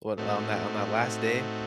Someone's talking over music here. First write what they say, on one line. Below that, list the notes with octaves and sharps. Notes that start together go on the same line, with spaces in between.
What on that on that last day,
A2 A3 C4 D#4 F#4